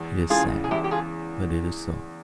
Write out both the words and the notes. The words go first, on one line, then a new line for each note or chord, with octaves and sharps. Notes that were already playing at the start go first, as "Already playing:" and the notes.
It is sad, but it is so.
Already playing: E2
C#3 E3 F4 G#4
G#4
E2 E4 G4
G4
F4 G#4